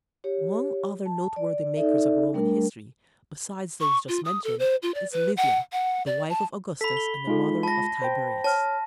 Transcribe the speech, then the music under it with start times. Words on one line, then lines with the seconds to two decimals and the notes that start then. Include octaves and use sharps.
Among other noteworthy makers of Roman history, besides those just mentioned, is Livia, the wife of Augustus and the mother of Tiberius.
0.24 G4 C#5
1.06 A5
1.36 D5
1.77 D#4 A4 D5 E5
2.34 G3 A3 D4 A#4
3.81 C#6
4.08 F4
4.25 D#6
4.44 A4
4.59 C5
4.82 F4
4.94 D5
5.12 B4
5.37 F#5
5.72 F#5
6.06 D5
6.29 A5
6.81 A4 B5 B6
6.97 G7
7.27 G#3 D#4 F4 A4
7.63 A5 B5 A#6
8.02 C5 G5
8.44 C#5 A5 F6